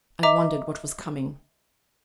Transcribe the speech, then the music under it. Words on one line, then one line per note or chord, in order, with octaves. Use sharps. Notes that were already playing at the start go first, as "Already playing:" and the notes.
I wondered what was coming.
D#5 E5 A#5 D6